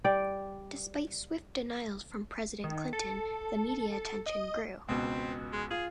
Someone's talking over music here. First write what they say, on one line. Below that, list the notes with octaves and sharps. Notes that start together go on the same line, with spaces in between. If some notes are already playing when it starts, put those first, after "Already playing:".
Despite swift denials from President Clinton, the media attention grew.
G3 D5 G5
D#3
A4
D#5
C#2 B2 C4
G#3
F4 G#4